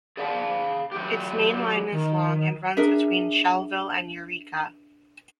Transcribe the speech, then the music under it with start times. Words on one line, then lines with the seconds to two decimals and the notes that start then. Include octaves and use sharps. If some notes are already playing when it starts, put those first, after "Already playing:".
Its main line is long and runs between Schellville and Eureka.
0.17 G#4 D5 F5 G#5 A5
0.92 F#3 A3 G4
1.92 D#3
2.77 D4 G#4 A#4 E5